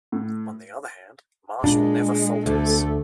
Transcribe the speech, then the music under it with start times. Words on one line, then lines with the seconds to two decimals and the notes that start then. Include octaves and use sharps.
On the other hand, Marshall never falters.
0.12 A2
1.64 A#2 G#3 D4
2.46 D2 A3